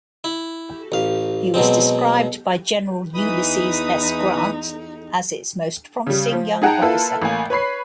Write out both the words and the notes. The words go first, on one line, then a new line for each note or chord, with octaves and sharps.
He was described by General Ulysses S. Grant as its most promising young officer.
E4
A1 F5
B2 F#3 G#3 C4
E2 E3 D#4 B5 D#6
C#3 G3
F3
D#4 G#4 F#5 G5 A5 A#5
A#3 E4 F4 A4 B4
A1 A#3 G#5
B4 C#5 B5 C7